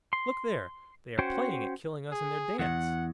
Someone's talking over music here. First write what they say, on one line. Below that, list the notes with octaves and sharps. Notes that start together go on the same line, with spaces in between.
"Look there! they are playing at killing us in their dance."
C6
C#4 F#4 C5 C#5 G5
G#4
E2 F#5